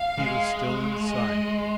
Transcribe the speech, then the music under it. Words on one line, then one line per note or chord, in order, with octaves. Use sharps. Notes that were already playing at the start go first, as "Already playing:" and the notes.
He was still in sight.
Already playing: F5
G#3
D#5